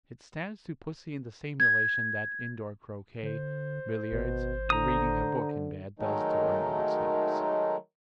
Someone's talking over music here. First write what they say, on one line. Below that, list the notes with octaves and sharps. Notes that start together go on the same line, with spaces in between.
It stands to pussy in the same relation that indoor croquet, billiards, or reading a book in bed does to our noble selves.
G#6
D3 C5
G#1 B2
D3 A#5 D#6
D#3 F#3 G#3 A3 D#4